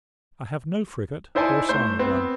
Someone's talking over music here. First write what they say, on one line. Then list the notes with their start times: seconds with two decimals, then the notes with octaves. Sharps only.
I have no frigate, or a sign of one.
1.35 D#4 E4 C5 D5 G#5 A5
1.69 A3 C5 G6
1.99 B3 C4